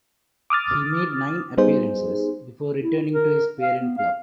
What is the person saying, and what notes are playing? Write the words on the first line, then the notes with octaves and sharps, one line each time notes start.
He made nine appearances before returning to his parent club.
D6 D#6 F6 A6
G3 B3 D#4 G#4 C5
E4
A#4
F5
B3
F5